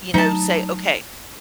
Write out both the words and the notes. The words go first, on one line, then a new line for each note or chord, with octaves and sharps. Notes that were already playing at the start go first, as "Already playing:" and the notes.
you know, say, "Okay,
F#3 A3 D#4 A5